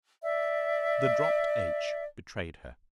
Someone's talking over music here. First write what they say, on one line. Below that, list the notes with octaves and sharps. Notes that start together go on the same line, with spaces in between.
The dropped "h" betrayed her.
D5 E5